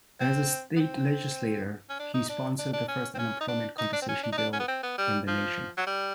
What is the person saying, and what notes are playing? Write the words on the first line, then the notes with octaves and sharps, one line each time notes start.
As a state legislator, he sponsored the first unemployment compensation bill in the nation.
C4
B3
C4
C#4
D4
D#4
D4
D4
D4
C#4
C4
C#4
D#4
D4
D#4
D4
C4
C#4
D4
D#4
D4
C#4
B3
C4
B3
G3
F3
F#3
G3